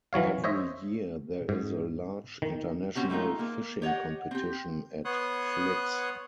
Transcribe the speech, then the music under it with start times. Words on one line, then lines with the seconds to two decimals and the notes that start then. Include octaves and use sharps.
Every year there is a large international fishing competition at Flix.
0.13 E3 F#3 C#5 F5
0.44 C5 C#5 D#5 E5
1.49 G#2
2.42 D#3
2.95 C4 C#4 F#4 G4
3.10 G#3 A3 D#4 F4 G#4
3.39 A#3
3.82 G4 C#5 D#5 F#5
4.31 C4 G4
5.05 B3 C#5 C6 D#6 F#6